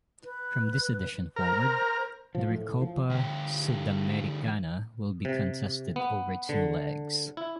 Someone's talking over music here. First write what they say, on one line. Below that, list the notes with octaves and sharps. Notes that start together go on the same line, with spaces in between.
From this edition forward, the Recopa Sudamericana will be contested over two legs.
B4
A#4 C5
F3
A2
F3
D2 G4
C3
B3
D3
E4